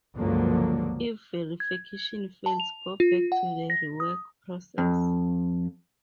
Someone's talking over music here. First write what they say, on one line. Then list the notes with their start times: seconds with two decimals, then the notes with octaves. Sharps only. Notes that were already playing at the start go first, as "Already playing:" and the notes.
If verification fails, go back to the rework process.
0.16 C#2 G2 D3 F3 F#3 A#3
1.60 G#6
2.46 A5
2.60 F7
3.00 F4
3.32 F#5
3.70 A#6
4.00 D#6
4.78 F2